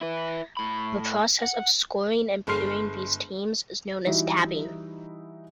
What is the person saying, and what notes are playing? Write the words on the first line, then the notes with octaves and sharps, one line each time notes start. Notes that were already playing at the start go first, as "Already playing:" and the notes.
The process of scoring and pairing these teams is known as "tabbing".
E4 B4
A2 B5
F#5
G1 G#3 C6 F6 C7
E3 G3 D#4 E4 F#4